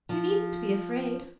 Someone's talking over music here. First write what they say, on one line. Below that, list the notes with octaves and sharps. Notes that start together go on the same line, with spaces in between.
You needn't be afraid.
F3